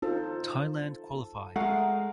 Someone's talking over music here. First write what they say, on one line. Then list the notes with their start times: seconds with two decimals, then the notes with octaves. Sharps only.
Thailand qualify.
0.02 D#4 F4 A4 C5
1.56 G#3 A3 A#4 F5 F#5